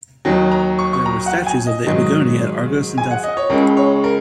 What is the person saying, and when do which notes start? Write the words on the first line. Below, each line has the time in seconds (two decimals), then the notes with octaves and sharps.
There were statues of the Epigoni at Argos and Delphi.
0.25 D#2 D#3 F#3
0.52 A#5
0.79 C#6
0.93 C#6
1.06 A#5
1.26 F#5
1.46 G#5
1.67 D#5
1.87 G#2 D#3 F#3 D#5
2.98 G#5
3.11 F#5
3.23 D#5
3.37 C#5
3.50 C#2 C#3 G#3 A#4
3.77 C#5
4.04 A#4